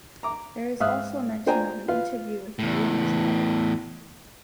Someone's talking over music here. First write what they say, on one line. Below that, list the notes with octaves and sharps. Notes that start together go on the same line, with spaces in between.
There is also mention of an interview with Farina's mother.
A#5 D6
G#2 E5 F5 D#6 F6 F#6
D4 F4 C5 G5 G#5 A#5
F4 B4 F5
E2 A2